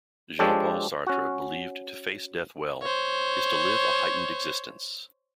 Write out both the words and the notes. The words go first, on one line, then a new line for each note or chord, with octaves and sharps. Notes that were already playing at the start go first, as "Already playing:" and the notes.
Jean-Paul Sartre believed to face death well is to live a heightened existence.
F3 G#3 D4 G4 A4 C#5
C#4 F#4
C5 C#5